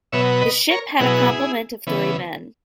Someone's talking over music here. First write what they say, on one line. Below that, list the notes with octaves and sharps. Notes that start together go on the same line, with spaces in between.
The ship had a complement of three men.
B2 F#3 B3 C#5 E5
B4 D#5
A#4 C#5
B2 F#3 B3 E4 G#4
C#3 E3 B3